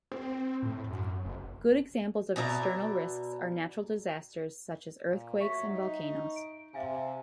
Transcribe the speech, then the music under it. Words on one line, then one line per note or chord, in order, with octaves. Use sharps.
Good examples of external risks are natural disasters such as earthquakes and volcanoes.
C4
A2
F#2
F#1
B2 D5 E5 A#5
A#2
F#3 E5 C#6 B6
D#4
D7
C3 E5 F5 G#5